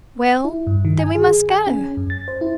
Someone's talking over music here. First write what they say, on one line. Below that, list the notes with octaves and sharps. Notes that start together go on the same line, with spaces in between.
"Well, then we must go!"
E4
G2
D#3
G#5
G#4
G#5
C#4
F#2
A6
C5
E4